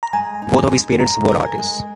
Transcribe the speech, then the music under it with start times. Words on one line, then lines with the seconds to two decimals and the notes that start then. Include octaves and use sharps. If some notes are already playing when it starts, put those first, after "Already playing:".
Both of his parents were artists.
0.03 A#5
0.13 G#3 G#5
0.42 D#4
0.72 G#3
1.00 G#3 A#5
1.29 A#4
1.43 G#5
1.58 G#3